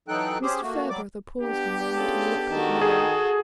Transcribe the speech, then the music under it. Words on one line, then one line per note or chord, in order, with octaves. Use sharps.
Mr. Farebrother paused a moment and looked at Mary.
E3 F#3 D#4 A4 G5 F#6
C#4 G4 G#4 C5
A3 A#3 F#4
F#3 G3 D5 D6
B3 D4 G4
C#4 F4 G#4 A4
D#3 F#4 A4
G#4